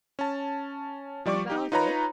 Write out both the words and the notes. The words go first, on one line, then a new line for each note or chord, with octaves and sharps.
"What about it?"
C#4 A5
F3 G3 D5 C#6 D6
D#4 G4
D#4 F4 B4 C#5 A#5 B5